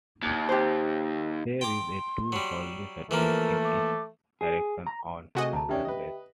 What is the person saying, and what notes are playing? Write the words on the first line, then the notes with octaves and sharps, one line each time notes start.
There is a two hourly service in each direction on Sundays.
D#2
G4 C5
G5 A#5 C6 D6
F#3 G3
E3 F3 A3 A#3 A#4
D6
G#4
A#5
C3 A3 F#4 G#4 D#5 G#5
D2 A5 A#5
D#3 C#4 D4 G4 E5 G5
B4 D#5